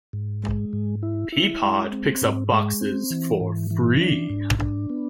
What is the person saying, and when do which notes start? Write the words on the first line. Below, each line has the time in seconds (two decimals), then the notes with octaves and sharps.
Peapod picks up boxes for free.
0.13 G#2
0.43 G#3
0.73 G#2
1.03 E4
1.32 E4
1.62 G#3
1.92 C4
2.22 G#2
2.52 G#3
2.81 C4
3.10 E3
3.41 G#2
3.71 E3
4.00 D4
4.30 G#2
4.59 D4
4.90 B3